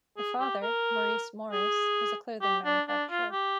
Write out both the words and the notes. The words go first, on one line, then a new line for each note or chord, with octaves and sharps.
Her father, Maurice Morris, was a clothing manufacturer.
G#4
G4
A#4
G#4
G4
D4
D4
F4
G4